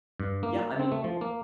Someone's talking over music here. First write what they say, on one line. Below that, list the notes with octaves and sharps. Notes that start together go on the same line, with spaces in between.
Yeah, I mean
G2
A#3
C4
A3
F3
A#3